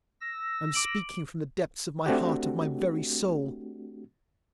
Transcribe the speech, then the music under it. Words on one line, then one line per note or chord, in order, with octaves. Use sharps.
I am speaking from the depths of my heart--of my very soul.
E6 A#6
D6 D7 F#7
A3 C4 D4 F#4 G4